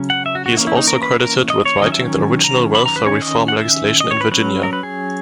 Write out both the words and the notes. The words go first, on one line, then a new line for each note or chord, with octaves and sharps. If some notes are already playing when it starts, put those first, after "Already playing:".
He is also credited with writing the original welfare reform legislation in Virginia.
Already playing: C#3 F#3 C#4
F#5
E5
F#4
F#4
E3 A#3 C#4 E4
E4
D#4
A#4
B4
A#4
D#5
C#5
D#3 F#3 C#4 D#5
E5
A#5
B5
A#5
B4
D#3 A#3 C#4 C#5
D#5
F#5
E5
D#5
C#5
B4
F#3 C#4 B4
A#4
B4
G#4